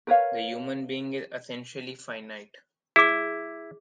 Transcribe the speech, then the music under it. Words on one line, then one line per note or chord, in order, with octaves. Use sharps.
The human being is essentially finite.
A#4 B4 C#5 F5
E4 G#4 D6